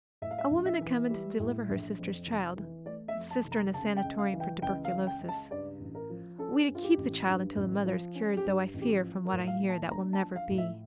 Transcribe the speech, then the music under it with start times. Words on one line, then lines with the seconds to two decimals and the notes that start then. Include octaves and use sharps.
A woman had come to deliver her sister's child--sister in a sanatorium for tuberculosis; we to keep the child until the mother is cured, though I fear, from what I hear, that will never be.
0.22 A2 E5
0.31 F5
0.38 E5
0.51 A#1
0.66 E5
0.81 E3
1.10 G3
1.39 A2
1.69 A#1
1.99 F2
2.27 F1
2.57 E3
2.86 A3 D5
3.08 E5
3.16 F2
3.31 A5
3.45 F1
3.52 A#5
3.74 C#3 A5
3.97 G5
4.04 C#2
4.19 F5
4.33 E3
4.40 G5
4.62 C#2 G5
4.85 F5
4.92 C#3
5.07 G5
5.21 C#2
5.29 A5
5.51 G2 D5
5.80 A1
5.95 A#4
6.10 F3
6.38 C#4 A4
6.68 G2
6.75 F4
6.84 G4
6.98 A1
7.27 G2
7.56 A1
7.86 F3
8.15 C#4
8.37 G4
8.45 G2
8.74 A1
8.81 G4
9.03 F3
9.25 A#4
9.33 A2
9.47 F5
9.63 A#3
9.69 A5
9.91 D4 A#5
10.13 A5
10.21 F3
10.36 F5
10.50 A2
10.58 E5